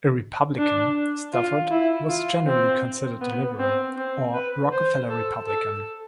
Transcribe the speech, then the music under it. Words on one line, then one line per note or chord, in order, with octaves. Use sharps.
A Republican, Stafford was generally considered a liberal, or "Rockefeller" Republican.
D4
F4
E4
F4
C4
B3
C4
C4
B4
C5
A4
A4